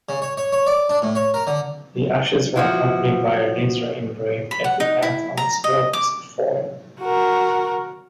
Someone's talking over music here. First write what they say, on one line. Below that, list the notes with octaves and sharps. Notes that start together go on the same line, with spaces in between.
The ashes were accompanied by a laser-engraved epitaph on a small piece of foil.
C#3
C#5
C#5
C#5
D5
D4
A2
C#5
A#4
D3
E3 F3 F#4
B5
F#5
D#4
E4
A#5
D#5
D6
F#4 A#4